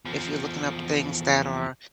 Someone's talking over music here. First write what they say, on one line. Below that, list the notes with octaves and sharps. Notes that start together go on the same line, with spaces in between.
if you're looking up things that are
E2 F3